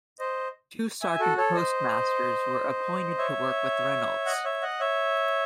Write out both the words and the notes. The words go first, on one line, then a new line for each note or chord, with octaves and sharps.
Two Sergeant Postmasters were appointed to work with Reynolds.
C5 D#5
E5 G#5
F#4 A4
A4 C#5
C5 D#5
C#5 E5
D#5 F#5
C#5 E5
D#5 F#5
C#5 E5